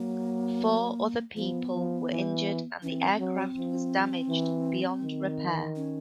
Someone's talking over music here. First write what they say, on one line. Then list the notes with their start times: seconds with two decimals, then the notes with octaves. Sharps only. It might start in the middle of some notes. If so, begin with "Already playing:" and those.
Four other people were injured and the aircraft was damaged beyond repair.
Already playing: F#3 A#3
1.36 F3 B3
1.74 F3
2.11 E3
2.83 E3 C#4
2.87 C4
3.19 F#3
3.57 F3
4.29 E3
5.02 D#3
5.76 C#4